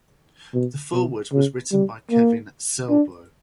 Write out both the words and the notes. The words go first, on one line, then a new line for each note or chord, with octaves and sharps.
The foreword was written by Kevin Sorbo.
B2
B2
C#3
G3
A#3
D4